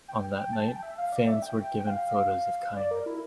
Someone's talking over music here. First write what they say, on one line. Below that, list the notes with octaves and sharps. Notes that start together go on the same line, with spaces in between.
On that night, fans were given photos of Kiner.
G5
G5
A5
G5
E5
F5
D5
E5
G5
G5
F5
D5
A#4
E4